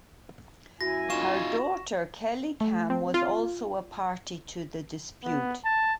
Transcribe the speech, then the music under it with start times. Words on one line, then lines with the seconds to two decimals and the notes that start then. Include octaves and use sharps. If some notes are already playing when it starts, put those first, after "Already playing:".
Her daughter Kelly Kam was also a party to the dispute.
0.81 F#2 E4 F#4 G#5 A#6
1.10 D#4 F4 C#6 E7
2.61 A3
2.90 C4
3.14 F4
5.24 B3
5.65 A5